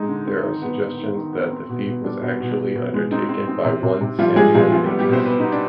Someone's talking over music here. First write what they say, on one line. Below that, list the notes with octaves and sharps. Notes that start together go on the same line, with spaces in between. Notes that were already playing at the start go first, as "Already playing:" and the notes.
There are suggestions that the feat was actually undertaken by one Samuel Nicks.
Already playing: G#3 C4 D#4
D3
C4
D#3
B3
B3
D#3
D#3
B3
C4
B2
B2
G3 D4
B2
B2
B2
B2
G#3
C4 D#4
C4
C4
C3
C3
C3
F3 G3 F4
G3 G#3 G#4
C3 F3 F4
F3 B3 F4
G3 G4
B3
G3 G4
B2 C4 C5
B3 B4
D#4
B3
D4